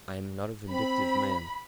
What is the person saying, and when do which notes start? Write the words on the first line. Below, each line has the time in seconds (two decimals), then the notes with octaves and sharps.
I am not a vindictive man.
0.70 C4 B5